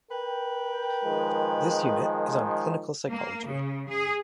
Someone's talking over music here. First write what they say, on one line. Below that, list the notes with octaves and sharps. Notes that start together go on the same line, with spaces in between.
This unit is on clinical psychology.
A#4 B4 G5
D#3 F3 G#3
A#3
C#3
G#4